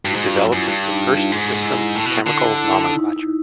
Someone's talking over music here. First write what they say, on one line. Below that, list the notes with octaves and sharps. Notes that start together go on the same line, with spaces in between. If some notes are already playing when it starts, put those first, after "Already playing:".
He developed the first system of chemical nomenclature.
G2 F#4
G#2
F4
G2
F#2 E4
F#2
G2 D4
D#4
F4
G#2
E4
A2
B2
D3
E4
D#4